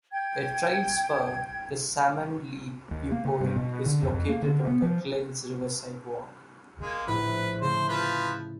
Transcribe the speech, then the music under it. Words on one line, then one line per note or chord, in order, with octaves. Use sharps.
A trail spur, the salmon leap viewpoint, is located on the glen's Riverside Walk.
G5 G#6
D#2
A#3
C#3
G2
B2
D3
F2
F2
A#3
D3
B3
F3
G#3 A#3
A#1 A2 E4 B4
C#3 A3 C5
F3 B4